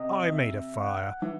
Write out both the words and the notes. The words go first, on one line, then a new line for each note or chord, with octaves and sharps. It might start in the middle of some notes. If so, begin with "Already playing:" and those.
I made a fire.
Already playing: C3 D#5
E5
F#5
E3